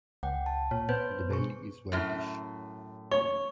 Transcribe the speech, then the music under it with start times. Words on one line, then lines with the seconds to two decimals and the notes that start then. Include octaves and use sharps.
The belly is whitish.
0.23 C#2 F#5 G5
0.46 A5
0.71 A#2 C#5
0.89 B3 B4 C5 G6
1.31 B2 G#4 C#6
1.92 F#2 A2
3.11 C#5 C#6